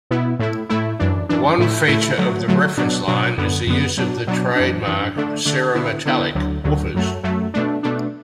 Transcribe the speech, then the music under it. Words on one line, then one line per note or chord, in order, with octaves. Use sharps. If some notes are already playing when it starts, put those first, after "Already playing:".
One feature of the Reference line is the use of the trademark Cerametallic woofers.
B2 B3 E4
A2 A3 E4
A2 A3 E4
F#2 E3 D4
F#2 E3 D4
A2 A3 E4
A2 A3 E4
D3 F#3 A3
D3 F#3 A3
B2 F#3 D4
B2 F#3 D4
F#2 D3 B3
F#2 D3 B3
B2 F#3 D4
B2 F#3 D4
F#2 E3 D4
F#2 E3 D4
D3 A3 D4
D3 A3 D4
D3 B3 E4
D3 B3 E4
D2 D3 F#3
D2 D3 F#3
F#2 F#3 A3
F#2 F#3 A3
B2 A3 D4
B2 A3 D4